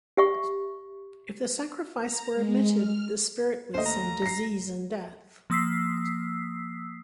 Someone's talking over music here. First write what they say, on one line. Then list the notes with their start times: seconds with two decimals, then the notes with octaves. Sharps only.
If the sacrifice were omitted the spirit would send disease and death.
0.17 G4 E5 C#6
2.02 A#5
2.33 G#3
2.74 F6
3.74 D#2 A3 C5 D#5
3.86 A#5
4.22 A#6 C7
5.50 F3 A#3 D#6 E6 B6 C7